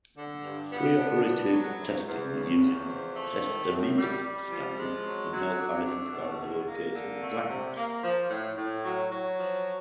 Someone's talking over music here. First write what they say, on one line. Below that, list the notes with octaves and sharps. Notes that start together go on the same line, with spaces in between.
Preoperative testing using sestamibi scanning can help identify the location of glands.
D3
G2
B3
D4
B3
F#3
E2
E2
C#3
E2
F3
A3
D#3
F#2
G3
G3
F3
G#3
F#3
F#3
D4
A3
B2
G#3
A#3
D3
A3
C3
A#3
F3
A2
A2
F#3
F#3
F3